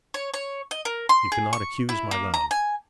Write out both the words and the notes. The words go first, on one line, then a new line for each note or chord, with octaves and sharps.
You cannot accuse my love.
C#5
C#5
D#5
A#4
C6
G#4
C#6
E4
A#3
A#5
G#5